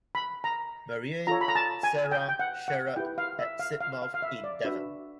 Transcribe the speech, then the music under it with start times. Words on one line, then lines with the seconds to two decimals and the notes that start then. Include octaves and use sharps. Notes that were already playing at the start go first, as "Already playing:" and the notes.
Marianne Sarah Sherard at Sidmouth in Devon.
0.15 B5
0.44 A#5
1.27 F4 A4 C#5 A#5
1.41 B5
1.48 A#5
1.55 A5
1.83 G#5
2.12 G5
2.29 G5
2.39 F#5
2.68 F#5
2.96 E4 G4 B4 G5
3.18 F5
3.39 E5
3.59 F5
3.80 F5
4.02 F5
4.14 F5
4.22 E5
4.44 D5
4.64 D4 F#4 B4 E5